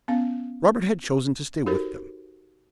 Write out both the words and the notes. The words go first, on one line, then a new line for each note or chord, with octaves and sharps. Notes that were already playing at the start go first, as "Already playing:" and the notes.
Robert had chosen to stay with them.
B3 C#4 F5
D#4 F#4 G4 A4 A#4 C5